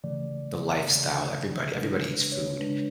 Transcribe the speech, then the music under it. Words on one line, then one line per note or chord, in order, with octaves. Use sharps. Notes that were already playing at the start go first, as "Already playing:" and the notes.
the lifestyle everybody everybody eats food,
C#3 E3 A3 D5
C#3 E3 A3
C#3 G#3 D4 B4
B4
C#5
C#3 G#3 D4 B4